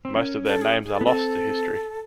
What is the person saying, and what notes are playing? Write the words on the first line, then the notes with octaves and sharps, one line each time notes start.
Most of their names are lost to history.
C4
C#4 A#4
A4
G#4
G#4
A4
B3
C4 A4